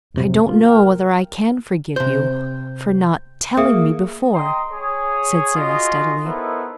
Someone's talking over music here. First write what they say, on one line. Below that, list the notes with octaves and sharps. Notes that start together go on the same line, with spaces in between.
"I don't know whether I can forgive you for not telling me before," said Sara steadily.
F2 A2 C3 F#3
A#3 F4
A#4 G5 F6
C3 C5 G6
A#3 G#4 E5 D#6
D#5 G5 A#5 C6 D#6
G#4 C#5 D#6
F4 F#4 G#4 D#5
B3 D#4 E4 A4 A#4 C5